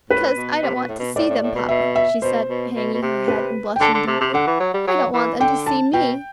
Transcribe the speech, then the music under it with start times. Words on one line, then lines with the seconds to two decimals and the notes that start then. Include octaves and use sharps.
"Because I don't want to see them, papa," she said, hanging her head and blushing deeply; "I don't want them to see me."
0.10 A2 B4
0.37 B2
0.62 C3
0.75 B2
0.88 A2
0.99 B2
1.16 A2 D5
1.29 A2
1.43 A2
1.56 B2
1.69 B2 E5
1.96 E5
2.22 B2 C5
2.49 B2
2.76 B2
2.94 B2
3.02 C3
3.28 B4
3.76 G5
3.81 D3 A5
3.94 D3
4.07 C3
4.20 C3
4.34 D3 F#5
4.47 E3
4.60 F#3
4.74 G3
4.87 F#3
5.14 E3
5.40 D3 G5
5.66 A5
5.93 B2 G5